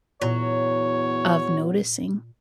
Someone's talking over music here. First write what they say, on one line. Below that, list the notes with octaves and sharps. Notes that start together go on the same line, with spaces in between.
of noticing
E2 A#2 F#3 C#5